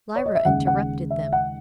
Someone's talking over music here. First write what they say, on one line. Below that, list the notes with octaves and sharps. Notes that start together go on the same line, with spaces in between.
Lyra interrupted them.
C#5
D#5
E5
D#2 C#3 G#3 F#5
F#5
E5
F#5